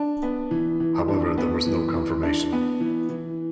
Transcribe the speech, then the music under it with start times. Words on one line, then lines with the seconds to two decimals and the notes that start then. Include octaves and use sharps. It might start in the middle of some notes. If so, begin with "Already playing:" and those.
However, there was no confirmation.
Already playing: D4
0.22 B3
0.51 E3
0.80 E3
1.08 D4
1.38 B3
1.66 E3
1.94 E3
2.23 D4
2.52 B3
2.80 E3
3.09 E3